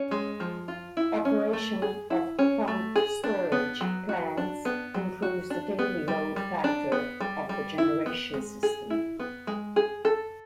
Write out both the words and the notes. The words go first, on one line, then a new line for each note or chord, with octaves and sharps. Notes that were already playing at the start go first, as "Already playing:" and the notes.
Operation of pumped-storage plants improves the daily load factor of the generation system.
Already playing: C#4
G#3
F3
F4
E4
C#4
A3
G#4
E4
C#4
A3
G#4
D4
B3
F#3
F#4
D4
B3
F#3
F#4
D4
B3
G3
G3
D4
B3
G3
G3
E4
B3
G#3
G#4
E4
B3
G#3
G#4
A4